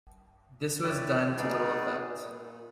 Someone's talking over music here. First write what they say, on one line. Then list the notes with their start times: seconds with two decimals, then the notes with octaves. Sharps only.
This was done to little effect.
0.84 E4 G4 B4 C#5 D5
1.37 G3 B3 D#4 G#4 B4 D5
2.22 A#2